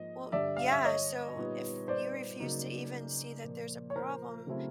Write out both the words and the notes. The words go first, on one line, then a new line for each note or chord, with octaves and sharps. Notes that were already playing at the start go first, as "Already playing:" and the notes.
Well Yeah, so, if you refuse to even see that there's a problem,
Already playing: G#2 F3 A#3 D#5
G2 D3 G3 D5 E5
F5
E5
C#5 D#5
A#2 G3 B3 D#4
C5 D5
C#3 F#3 A#3 D#4
A#2 F3 A#3
C#5
A#4 C5
C#3 F#3 A3 C4 E4